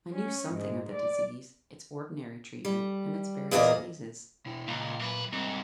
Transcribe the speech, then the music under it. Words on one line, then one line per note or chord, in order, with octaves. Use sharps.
I knew something of the disease, its ordinary treatment, and its various phases.
C#4
G#2
D5
G3
E2 A#2 A#3 D5 D#5
B2 E4
C#2 A#2 A#5
F#2 B4
G#2 G3 C4